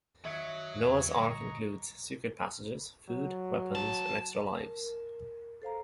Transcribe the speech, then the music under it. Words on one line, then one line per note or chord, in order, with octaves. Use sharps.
"Noah's Ark" includes secret passages, food, weapons and extra lives.
D#3 F#3 D#5 E5 F#6 G#6 C#7
E2 G#5
A#2 D3 G3 D#5 A#5 C#6
F#3
A5
A#4
A4 C5 F5 A#5